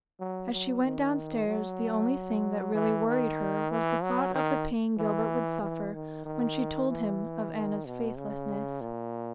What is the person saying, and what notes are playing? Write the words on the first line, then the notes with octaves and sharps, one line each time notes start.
As she went downstairs, the only thing that really worried her was the thought of the pain Gilbert would suffer when she told him of Anna's faithlessness.
F#3
F#3
D#3
F#3
E3
D#3
E3
F#3
D#3
E3
E3
D#3
D#3
E3
D#3
B2
C#3
A#2